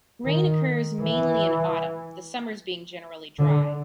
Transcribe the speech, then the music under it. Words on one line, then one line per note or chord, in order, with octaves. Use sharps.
Rain occurs mainly in autumn, the summers being generally dry.
D#3
E3
D3